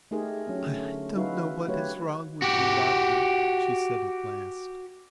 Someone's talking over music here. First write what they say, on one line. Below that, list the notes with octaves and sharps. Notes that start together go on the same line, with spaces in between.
"I don't know what is wrong with you, Rodya," she said at last.
A3 D#4 G4 G#4 A#4
F#3 C#4 D4
D3 A3
D#4 E4 F#4 B4 E5 F5
F#3 A3 D4 G4 B4 C#5
F#4 G4